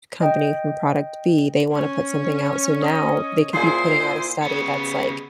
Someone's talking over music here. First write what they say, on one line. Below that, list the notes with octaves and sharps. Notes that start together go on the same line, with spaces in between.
company from product B, they wanna put something out, so now they could be putting out a study that's, like,
D#5 G5
C#4
D#5
A#2 E4 G#4 C5 C6
C#3 B3